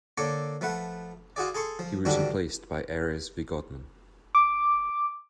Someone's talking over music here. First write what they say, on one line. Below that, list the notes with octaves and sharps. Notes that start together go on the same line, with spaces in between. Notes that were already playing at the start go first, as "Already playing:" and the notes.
He was replaced by Erez Vigodman.
D3 A#3 A4 C#5 D5 C#6
F3 A3 B4 F#5
F4 F#4 G#4 D5
G#4 A4 C6 C#6
F3
G#2 D3 D#3 G3 D4 F#4
D6